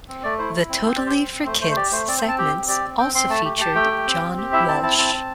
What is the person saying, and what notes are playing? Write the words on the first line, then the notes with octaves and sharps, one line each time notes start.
The "Totally For Kids" segments also featured John Walsh.
C4
A3 D5
E4 C5
E4
C4
C4 C5
G4 D5
C5
C4
C4
A3 C5
A3 C5
C5
G4 D5
A3 C5
C4 D5
C5
C4
A5
G4 G5
C4
G4 D5
C4
C4 G5
C4 C6
A3 A5
G4
G4 A5
A3 G5
G4
C4
C4
G4
E4 E5
C4 A5
E4 A5
C4 A5
C4